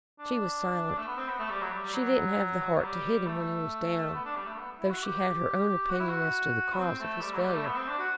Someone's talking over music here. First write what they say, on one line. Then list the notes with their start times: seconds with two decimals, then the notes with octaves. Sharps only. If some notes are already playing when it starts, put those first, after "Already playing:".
She was silent; she didn't have the heart to hit him when he was down, though she had her own opinion as to the cause of his failure.
0.19 D4
0.98 A3
1.07 B3
1.17 C4
1.28 B3
1.39 A3
1.50 G3
1.61 F#3
1.72 G3
1.83 G3
1.94 F#3
2.76 F#3
2.82 G3
3.26 A3
4.14 B3
4.25 D4
4.36 G3
4.47 A3
4.58 B3
4.79 E4
4.90 F#4
5.02 G4
5.90 F#4
6.00 E4
6.09 F#4
6.73 B3
6.78 C4
6.99 A3
7.21 G3
7.33 F#3
7.40 A3
7.44 G3
7.55 A3
7.65 B3
7.76 C4
7.88 D4
7.98 F#4